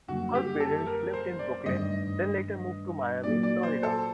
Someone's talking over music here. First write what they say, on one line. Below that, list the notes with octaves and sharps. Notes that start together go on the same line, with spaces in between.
Her parents lived in Brooklyn, then later moved to Miami, Florida.
F#2 D3 G3 A#3 F#4
G4
A4
A#4
C5
D5
G2 D#3 A3 D4 D#5
A#2 F#3 A#3 F#4 D5
D5
C5
A4